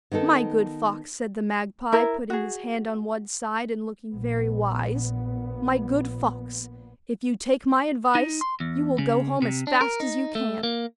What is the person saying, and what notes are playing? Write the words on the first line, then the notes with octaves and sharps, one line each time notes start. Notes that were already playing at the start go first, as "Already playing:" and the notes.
'My good fox,' said the magpie putting his head on one side and looking very wise--'my good fox, if you take my advice, you will go home as fast as you can.
D#3 B3 D#4 A4
E4 A#4
F#4 G#4
A#1 A#2 B3
D#4
C6
E2
C#3
C3
D4
A#4
D#4
A3
A#3